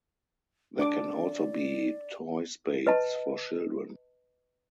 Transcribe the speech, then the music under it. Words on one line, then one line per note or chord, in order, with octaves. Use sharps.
There can also be toy spades for children.
D4 D5 D6
B4 D#5 A5